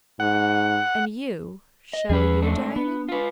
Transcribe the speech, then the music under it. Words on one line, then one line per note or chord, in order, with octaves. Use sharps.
"And you--shall you die in it?"
G#2 F#5
D#5
E2 F3 C#4 G#4 B4
G#2 A3 D4
B3 D4
F4 B4